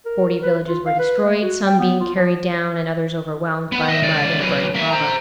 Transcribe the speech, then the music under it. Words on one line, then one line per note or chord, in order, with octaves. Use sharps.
Forty villages were destroyed, some being carried down and others overwhelmed by mud and burning lava.
A#4
B4
F4
F5
B4
A3
F#4
G5
B3
F4
F3
B3
D#5 E5
C#2 D5
F#3 B4
A#3 E5
C5 A#5